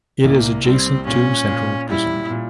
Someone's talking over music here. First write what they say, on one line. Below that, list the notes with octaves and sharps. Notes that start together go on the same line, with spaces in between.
It is adjacent to Central Prison.
C2 A#3
G3 C4
A#2 C#4
A#2
G3 E4
A#2